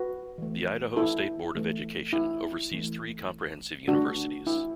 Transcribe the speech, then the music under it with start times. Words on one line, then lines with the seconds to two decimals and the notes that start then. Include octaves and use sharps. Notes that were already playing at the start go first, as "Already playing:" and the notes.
The Idaho State Board of Education oversees three comprehensive universities.
Already playing: F#4 B4
0.38 E3 A3
0.96 E4 A4
1.55 E3 A3
2.13 E4
2.71 E3 A3
3.88 D3 A3 D4 F#4
4.47 E4